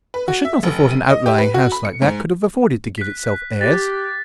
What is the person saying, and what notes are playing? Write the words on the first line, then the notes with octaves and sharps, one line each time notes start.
"I should not have thought an outlying house like that could have afforded to give itself airs."
B4
F#4
E5
F1
D#7
D#5
G4
B4
F#4
B5
C#7
G#2
F#6 B6
G4 A6